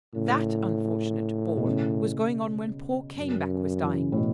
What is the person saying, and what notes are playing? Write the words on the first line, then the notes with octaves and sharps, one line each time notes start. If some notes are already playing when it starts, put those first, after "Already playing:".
That unfortunate ball was going on when poor Caneback was dying.
A2 C#3
B2
C#3
F#2
E3
C#3
A2
B2